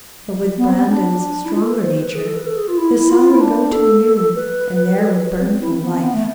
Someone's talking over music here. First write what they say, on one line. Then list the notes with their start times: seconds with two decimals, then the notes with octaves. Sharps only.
But with Brandon's stronger nature the sun would go till noon and there would burn for life.
0.58 B3
0.68 C4
0.79 B3
0.89 D4
1.45 E4
1.52 F4
1.62 A4
1.73 B4
1.84 C5
1.99 B4
2.15 G#4
2.25 A4
2.36 B4
2.46 A4
2.57 G#4
2.68 F4
2.78 E4
2.94 E4
3.09 F4
3.20 F4
3.31 E4
3.41 D4
3.72 A4
4.35 B4
4.98 A4
5.09 B4
5.19 B4
5.30 B4
5.40 C4
5.50 C4
5.61 E4
5.71 C4
5.82 B3
5.92 C4
6.03 B3
6.14 A3